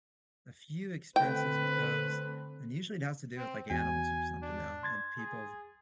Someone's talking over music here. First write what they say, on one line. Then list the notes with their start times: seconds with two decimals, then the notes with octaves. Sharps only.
a few experiences with those, and usually it has to do with, like, animals or something now, and people,
1.16 D3 A3 C4 B4 G5
3.37 C4
3.70 E2 F#4 G#5
4.43 D4
4.83 C6 G#6 A6
5.18 G#4